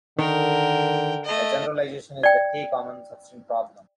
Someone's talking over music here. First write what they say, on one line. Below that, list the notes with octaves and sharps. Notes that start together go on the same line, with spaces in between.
A generalization is the k-common substring problem.
D3 D#3 A#4 G5
A3 D#5
D5 G5